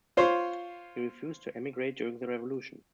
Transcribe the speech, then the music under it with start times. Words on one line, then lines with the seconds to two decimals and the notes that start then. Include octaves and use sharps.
He refused to emigrate during the Revolution.
0.17 F4 C5 C#5